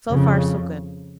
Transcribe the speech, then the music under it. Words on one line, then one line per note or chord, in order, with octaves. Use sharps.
So far, so good.
F2 C#3